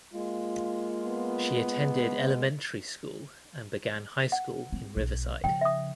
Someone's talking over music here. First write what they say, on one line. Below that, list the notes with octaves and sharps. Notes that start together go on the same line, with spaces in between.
She attended elementary school and began high school in Riverside.
G#3 A#3 F4
B3
F#5
C4
B1
C#3 F3 G5
E5 D#6